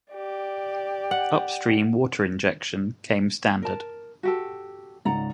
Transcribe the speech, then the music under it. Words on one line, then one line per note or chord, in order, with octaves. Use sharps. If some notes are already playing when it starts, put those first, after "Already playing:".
Upstream water injection came standard.
G4 D5
F#5
A#4 A5
F#4 G4 A4
C#2 G#2 D5 F#5 A#5